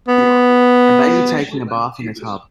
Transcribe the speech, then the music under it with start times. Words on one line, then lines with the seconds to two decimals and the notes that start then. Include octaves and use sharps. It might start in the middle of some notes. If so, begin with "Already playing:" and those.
A baby taking a bath in a tub.
0.08 B3